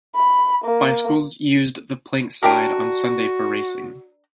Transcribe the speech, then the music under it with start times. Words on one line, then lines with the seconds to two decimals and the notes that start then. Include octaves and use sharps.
Bicycles used the plank side on Sunday for racing.
0.15 B5
0.64 A#3
2.43 D4 F#4 G4 A#4